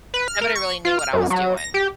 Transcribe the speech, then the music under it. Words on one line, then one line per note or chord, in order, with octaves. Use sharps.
Nobody really knew what I was doing.
B4
F6
A#4
C#6
F4
F6
F#2
F#3
A#6
G4